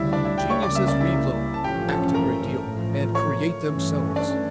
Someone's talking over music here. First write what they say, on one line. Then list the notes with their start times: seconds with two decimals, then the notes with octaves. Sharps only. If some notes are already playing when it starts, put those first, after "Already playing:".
Geniuses read little, act a great deal, and create themselves.
Already playing: D2 C#3 G3 E4 D5 E5
0.13 D4 D5
0.25 E4 E5
0.38 G4 G5
0.50 C#5 C#6
0.63 C#2 C#3 G3 A#3 C#4 D5 D6
0.75 E5 E6
0.88 D5 D6
1.01 E4 E5
1.54 A5
1.64 A1 G2 F3 A3 C#4 G4 G5
1.88 A4 A5
2.14 A#4 A#5
2.65 A1 A2 F3 A3
3.15 C#5 C#6
3.65 G2 E3 A3 C#4
4.16 D4 D5